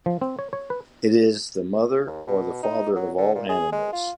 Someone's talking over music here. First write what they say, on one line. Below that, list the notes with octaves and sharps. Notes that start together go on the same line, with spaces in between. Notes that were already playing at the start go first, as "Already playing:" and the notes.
It is the mother or the father of all animals.
F3
C4
C#5
C#5
B4
D#2
B2
D#4
F#3
D3
A#2
G#4
G#3
F4